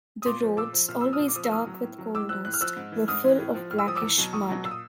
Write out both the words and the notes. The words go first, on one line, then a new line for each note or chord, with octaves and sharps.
The roads, always dark with coal-dust, were full of blackish mud.
D#6
A#2 C6 D6
F3
A#2 D6 E6
F3
A#2 F6
F3 E6
D#6 F6
A#2
D6
F3 D#6
E6
A2 D#6 F6
F#3
A2
F#3
A2 D6 E6
F3 E6 F#6
A2 F#6
F6
F3 E6 F#6
G#2
E3
G#2 D#6 F6
E3
A2
F3
A2 F6
E6
F3 D#6
D6 E6
E2
B2 F#3
E2 C#6 D#6
B2 F#3
A#2 E6
D#6